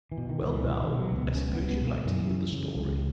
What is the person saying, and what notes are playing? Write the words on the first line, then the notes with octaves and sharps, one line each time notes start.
"Well, now, I suppose you'd like to hear the story."
E3
B2
D#3
C#2
E3
B2 E3
D#3
B2
F#3
C#2
B3
C#2 C#4
B3
C#2
B3
B2
A#3
F#2 E3
C#3
C#3
C#2